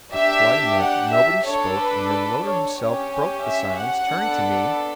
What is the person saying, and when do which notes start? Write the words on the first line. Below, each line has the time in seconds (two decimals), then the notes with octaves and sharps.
For quite a minute nobody spoke, and then Loder himself broke the silence, turning to me.
0.13 D4 G4 E5
0.80 F#5
1.13 E5
1.46 D4 A4 C#5
1.79 B4
2.45 C#5
2.78 C#4 G4 C#5
3.44 E5
3.77 F#5
4.10 B3 D4 A4